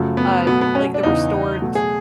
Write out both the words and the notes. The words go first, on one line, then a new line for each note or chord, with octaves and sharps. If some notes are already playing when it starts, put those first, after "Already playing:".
uh, like, the restored,
Already playing: F#2 C#3 F3 A3
B3
B2 F#3 A3 B3
B3
C#4
D4
E2 C#3 E3 D#4
B2 F#3 A3
G#4